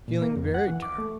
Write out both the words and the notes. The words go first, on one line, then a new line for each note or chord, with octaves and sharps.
Feeling very tired.
A#2
A#3
F2
F#5
E3
D6
A3